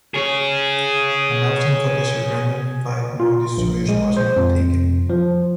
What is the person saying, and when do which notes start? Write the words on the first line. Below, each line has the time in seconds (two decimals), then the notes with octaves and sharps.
An option for the surrender of five more destroyers was not taken.
0.14 G#4 C#5
3.20 F4
3.58 A#1
3.88 G#3
4.17 C5
4.36 F2
5.10 F3